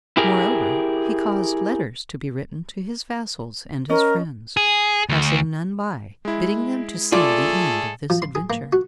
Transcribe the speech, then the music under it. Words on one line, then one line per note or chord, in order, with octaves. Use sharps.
Moreover he caused letters to be written to his vassals and his friends--passing none by--bidding them to see the end of this adventure.
E4 G4 G#4 A#4
C#4 A#4 D#5
G#4
D2
G#3 E4
A3 F4 G#4 A4 D5
F3
C6
G#4
A#3
F#4